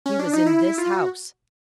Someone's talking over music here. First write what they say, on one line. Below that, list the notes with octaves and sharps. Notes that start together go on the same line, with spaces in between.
She was in this house.
C#4
D4
D#4
E4
F4
F#4